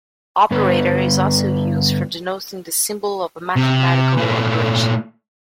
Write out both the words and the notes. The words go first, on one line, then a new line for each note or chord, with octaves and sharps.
Operator is also used for denoting the symbol of a mathematical operation.
G2 D3 B3 B4
C3
A#2 A3